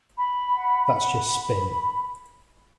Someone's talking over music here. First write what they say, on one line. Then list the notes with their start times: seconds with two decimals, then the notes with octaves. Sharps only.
That's just spin.
0.18 B5
0.53 F#5
0.88 B5
1.23 B5